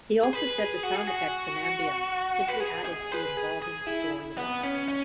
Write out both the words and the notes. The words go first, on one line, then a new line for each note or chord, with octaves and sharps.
He also said the sound effects and ambience simply added to the involving storyline.
G#4
B4
G#4
F#4
G#4
F#4
B4
G#4
G#4
B4
G#4
G#4
E4
B3
C#4
C#4